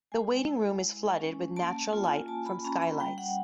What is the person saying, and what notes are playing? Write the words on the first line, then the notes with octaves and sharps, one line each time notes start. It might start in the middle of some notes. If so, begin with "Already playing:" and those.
The waiting room is flooded with natural light from skylights.
G#3 G#5
E4
G#3
C#4
A#3 A5
A5
F4
G#5
A#3 A5
B5
C#4 A#5
B5
G3 G5
F#5